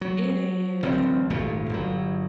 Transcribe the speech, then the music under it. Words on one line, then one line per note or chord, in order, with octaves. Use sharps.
It is.
F#3
A1 D3 F#3 C4
D#1 G#1 A#2 A3
G1 F#3